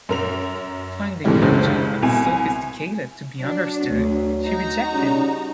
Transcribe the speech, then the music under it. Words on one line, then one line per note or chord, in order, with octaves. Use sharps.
Finding him too unsophisticated to be understood, she reject him.
F#2 A#4 F7
D#2 G#2 C3 E3 G3 A3
F#1 C#2 C#3 G#3 A3 A4
C2 B2 G#5
F#3 D4
D2
D#4 F#4 A#5
C#3 G3 C#4